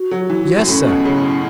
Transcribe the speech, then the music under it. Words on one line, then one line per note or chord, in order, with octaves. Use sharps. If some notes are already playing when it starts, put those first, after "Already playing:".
"Yes, sir."
Already playing: F#4
F#3
E3
F#2
A2 C#4
B2
C#3